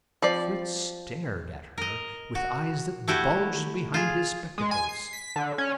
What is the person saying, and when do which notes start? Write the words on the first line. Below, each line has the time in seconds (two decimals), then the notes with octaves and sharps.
Fritz stared at her with eyes that bulged behind his spectacles.
0.22 F3 C4 D5
1.78 A#4 D#5
2.35 F#4
3.08 A3 E4 F#4 G4
3.94 F4 G#4
4.58 G#3
4.71 G#5
4.89 C7
5.13 B6
5.36 D3
5.58 C#4